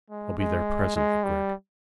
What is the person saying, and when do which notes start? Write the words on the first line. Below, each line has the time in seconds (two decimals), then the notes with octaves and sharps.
"I'll be there presently, Gregg."
0.10 G#3
0.38 G#3
0.95 G#3
1.23 G3